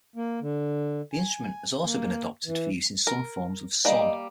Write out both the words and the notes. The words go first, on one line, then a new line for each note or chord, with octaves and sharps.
The instrument has also been adopted for use in some forms of "son".
A#3
D3
G#5
A#3
E3
A#4
G3 A#3 D#5